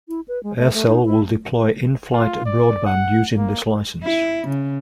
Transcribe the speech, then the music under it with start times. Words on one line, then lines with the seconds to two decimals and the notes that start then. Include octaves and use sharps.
Aircell will deploy in-flight broadband using this license.
0.08 E4
0.28 B4
0.43 G#3
0.58 A3
0.74 A3
0.88 D#4
1.05 E4
2.12 F4
2.46 D5
2.86 F#5
3.37 A#3
4.03 E4
4.47 C#3